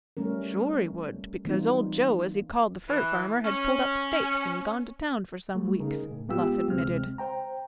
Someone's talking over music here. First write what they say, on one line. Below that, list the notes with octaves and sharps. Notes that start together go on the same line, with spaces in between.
"Sure he would, because Old Joe, as he called the fur farmer, had pulled up stakes and gone to town for some weeks," Bluff admitted.
G3 A3 C#4 A#4
E3 G3 A#3 C4 D#4 F4
E3
C#4
G3 A3
C#3 D#4 G#4 A#4
A2
G#3 B3 F4 G4 E6
D2 C3 G#3 C4 F6
C5 G5 A#5